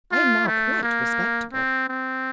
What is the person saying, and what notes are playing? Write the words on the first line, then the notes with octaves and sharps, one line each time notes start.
"I am now quite respectable."
F4
A3
A#3
C4
C4